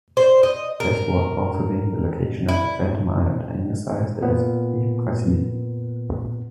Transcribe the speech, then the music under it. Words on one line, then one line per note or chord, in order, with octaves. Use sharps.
West-ward also being the location of the phantom island, anglicized as, Hy-Brasil.
C5
D#5
A#4
E4
A#2 B3